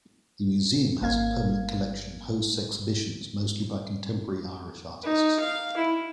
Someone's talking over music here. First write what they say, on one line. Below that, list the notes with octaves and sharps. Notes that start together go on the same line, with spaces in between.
The museum has a permanent collection and hosts exhibitions, mostly by contemporary Irish artists.
G#1 A#3 F5 G#6
D#4
F5
E4